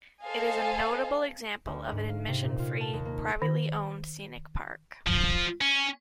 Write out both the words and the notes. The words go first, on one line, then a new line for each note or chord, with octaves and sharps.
It is a notable example of an admission-free, privately owned scenic park.
A4 C5 D#5 F5 G#5
D2
G#2
F5
C3
A#2
F4
A5
D#2
A#3
D#3
F3
C#4